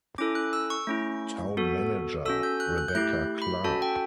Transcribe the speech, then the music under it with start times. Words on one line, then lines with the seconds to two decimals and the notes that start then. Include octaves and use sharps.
Town Manager: Rebecca Clark.
0.18 C#4 E4 A4 D6
0.35 F#6
0.53 E6
0.70 C#6
0.87 A3 C#4 E4
1.57 B3 F#4 A4
2.26 C#4 F#4 A4 E6
2.43 G6
2.60 F#6
2.78 F#6
2.88 G6
2.95 A3 E4 G4 F#6
3.42 B5
3.64 C#4 F#4 A4 A5
3.82 G5